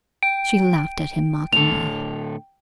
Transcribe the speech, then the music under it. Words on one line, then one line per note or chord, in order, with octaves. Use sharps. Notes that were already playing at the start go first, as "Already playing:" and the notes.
She laughed at him mockingly.
G5 D7
A2 D3 A4 F7